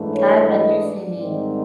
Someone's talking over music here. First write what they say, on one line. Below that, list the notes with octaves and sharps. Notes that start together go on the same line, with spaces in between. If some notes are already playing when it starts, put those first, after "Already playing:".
I I do see me,
Already playing: G#2 E3 A3 D4
C#5
D#5
D5
G#2 D#3 G3 C4 D#4